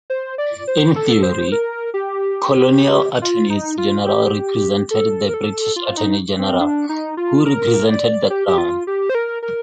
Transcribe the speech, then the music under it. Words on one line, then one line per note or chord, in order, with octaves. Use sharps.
In theory, colonial Attorneys General represented the British Attorney General, who represented the Crown.
C5
D5
C5
A4
C5
A#4
G4
F4
D#4
F4
G4
A4
A#4
A4
F4
D#4
C4
D4
D#4
F4
A#4
D5
G4
G4
F4
G4
C5
A#4
A#4